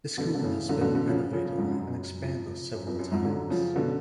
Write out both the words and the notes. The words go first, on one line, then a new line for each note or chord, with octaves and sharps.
The school has been renovated and expanded several times.
B2 D3
D3
A2 C#3
D3 F#3
B2 D3
B2 D3
C#3 F3
C#3 F3
C#3 F3
F2 G#2
F#2
F#2
F2
F#2
F2
F#2
F2 G#2
D3 F#3
C#3 F3
B2 D3